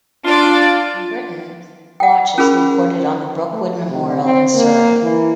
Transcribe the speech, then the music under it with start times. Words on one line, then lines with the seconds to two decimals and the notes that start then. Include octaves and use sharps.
In Britain, Bloch is recorded on the Brookwood Memorial in Surrey.
0.25 D4 F4 D5
2.00 F#5 G5
2.38 C#4 F4 G#4 A#4 B5
3.53 A3
3.89 C3
4.22 C4
4.55 A#3
5.03 E3